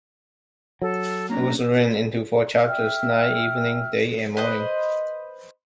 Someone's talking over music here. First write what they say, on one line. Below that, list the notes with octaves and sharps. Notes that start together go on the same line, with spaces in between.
It was written into four chapters: Night, Evening, Day and Morning.
F#3 A4
A#3 C#4 D4 A#5
E5 G5 E6 F6
B4 C5 D#5